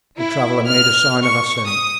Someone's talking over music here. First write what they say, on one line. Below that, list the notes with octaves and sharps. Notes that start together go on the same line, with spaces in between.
The traveler made a sign of assent.
E4
F6
C#6
D#6